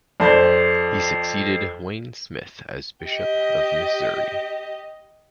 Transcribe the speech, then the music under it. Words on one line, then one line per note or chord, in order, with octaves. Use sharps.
He succeeded Wayne Smith as Bishop of Missouri.
F2 C5 D5
G4 D#5